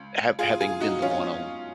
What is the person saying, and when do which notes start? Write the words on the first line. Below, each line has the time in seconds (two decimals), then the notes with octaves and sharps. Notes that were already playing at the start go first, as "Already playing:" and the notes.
Hav having been the one on
Already playing: C#2
0.39 F4 G#4
0.61 F4 G#4
0.80 D#4 F#4
1.02 C#4 F4